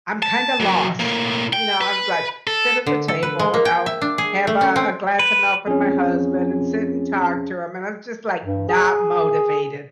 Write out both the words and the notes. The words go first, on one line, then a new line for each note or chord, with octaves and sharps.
I'm kinda lost, you know, I was like, sit at the table and I'll have a a glass of milk with my husband, and sit and talk to him, and I'm just, like, not motivated,
A5
F#3 A#3
A2 A#3
G5
B4
A4
D3
A4
B4
G#3
A#3
G5
E5
D4
G#4
A3
C#4
C4
B4
F2 C#4 G#4
G2
G#4